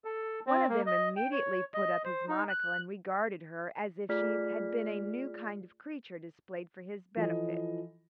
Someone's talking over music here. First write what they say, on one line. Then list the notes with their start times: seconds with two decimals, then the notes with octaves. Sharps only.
One of them immediately put up his monocle and regarded her as if she had been a new kind of creature displayed for his benefit.
0.04 A4
0.47 C4
0.69 A#3
0.86 D#5
1.16 G5
1.32 C#5
1.74 D#5
2.05 C5
2.28 D#4
2.50 F#6
4.09 A3 F4 G#4 D5 F6 B6
7.16 E3 F3 A4 D#5